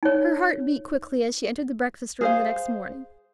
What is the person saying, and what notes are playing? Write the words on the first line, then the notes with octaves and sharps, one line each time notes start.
Her heart beat quickly as she entered the breakfast-room the next morning.
D#4 C#5
G#4 C5 F5